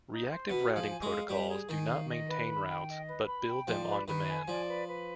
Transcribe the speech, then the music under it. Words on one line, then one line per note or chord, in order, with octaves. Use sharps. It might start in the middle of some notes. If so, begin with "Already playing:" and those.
Reactive routing protocols do not maintain routes, but build them on demand.
D#4
C5
B2 B4
G#4
F3
G#5
G#3
F5
G3 B4
G#4
D#3 G#5
F5
D#5
B4
B5
G5
D#5
B4
B5
G5
F3 D5
B4
D#3 B4
G#5
F3 D5
B4
B4